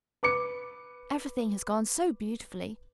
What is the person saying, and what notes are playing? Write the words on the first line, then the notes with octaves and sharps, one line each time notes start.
Everything has gone so beautifully.
B4 D6 C#7